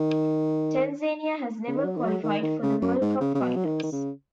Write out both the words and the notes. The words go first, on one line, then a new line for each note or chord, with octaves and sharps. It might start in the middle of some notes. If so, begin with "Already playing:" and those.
Tanzania has never qualified for the World Cup finals.
Already playing: D#3
C#3
D#3
F#3
D#3
F#3
D#3
D#3
C#3
F#2
G#2
C#3
C#3
B2
F#3
D#3
D#3
C#3